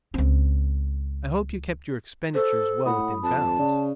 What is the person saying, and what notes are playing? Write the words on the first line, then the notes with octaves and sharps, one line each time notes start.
"I hope you kept your expenditures well within bounds?"
C#2 C4
A4 C5
A2 F#5 B5 D#6
F2 A5
C#3 D5